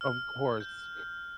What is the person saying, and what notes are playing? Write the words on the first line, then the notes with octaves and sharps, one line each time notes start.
Of course.
F6
G6